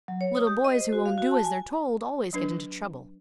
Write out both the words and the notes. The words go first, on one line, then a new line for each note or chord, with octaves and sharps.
Little boys who won't do as they're told always get into trouble.
F#3
C#5
D#6
G4
D#5
C5
F#4
F5
F#4
A5
G#5
F#3 D4 B4